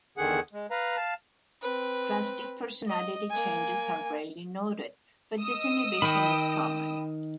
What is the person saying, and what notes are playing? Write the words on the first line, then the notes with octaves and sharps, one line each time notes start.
Drastic personality changes are rarely noted, but disinhibition is common.
E2 D3 D#3 G#4 F#5
G#3
B4 F5 A#5
F5 A5
C4 B4
D#5
A#3 G#5
D#5 D#6 E6
D#3 G5 B5